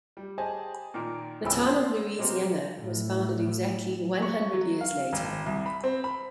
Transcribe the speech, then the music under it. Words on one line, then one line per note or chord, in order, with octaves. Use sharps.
The town in Louisiana was founded exactly one hundred years later.
G3
G4 G#4 C5 D#5 G#5 A5
A#2 D#3 A#3
D1 C#3 F3 G5 B5 E6
C6 G6 A6
B2 G3 G#3 A#3 C4
A2
C#6
F#3
F5
G#1
C2
B5
C4
B5